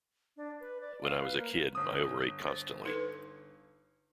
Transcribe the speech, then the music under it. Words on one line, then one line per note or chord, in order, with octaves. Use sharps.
When I was a kid, I overate constantly.
D4
B4
D5
F5
B4
A#3
G1 D#6
C5
D#4 A4 B4